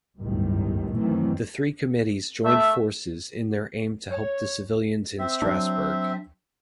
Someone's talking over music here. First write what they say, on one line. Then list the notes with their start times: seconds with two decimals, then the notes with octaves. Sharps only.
The three committees joined forces in their aim to help the civilians in Strassburg.
0.19 G1 C#2 F#2 A2 D#3 G3
0.96 F#2 D#3 E3 F#3 A3 C4
2.45 A3 E5
4.11 C#5
5.19 C4 E5
5.42 F#3 D4